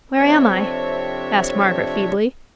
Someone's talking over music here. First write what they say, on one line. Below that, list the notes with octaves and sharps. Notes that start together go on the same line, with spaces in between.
"Where am I?" asked Margaret feebly.
F2 C3 C4 D4 C#5 E5